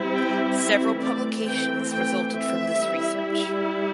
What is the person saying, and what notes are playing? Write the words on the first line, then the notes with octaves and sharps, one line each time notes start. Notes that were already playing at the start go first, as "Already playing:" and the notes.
Several publications resulted from this research.
Already playing: G3 C4 E4
G5
E5
E3 A3 C4 D5
G5
G5
E5
G3 E4